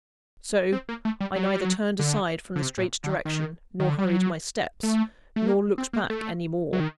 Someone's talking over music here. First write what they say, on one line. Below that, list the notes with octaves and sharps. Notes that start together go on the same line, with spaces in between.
So, I neither turned aside from the straight direction, nor hurried my steps, nor looked back any more.
C4
A#3
A3
G3
F#3
G3
F#3
D3
D3
C3
A#2
D3
D#3
D#3
D#3
D3
G3
F#3
A3
A3
A#3
C4
A#3
A3
F#3
D#3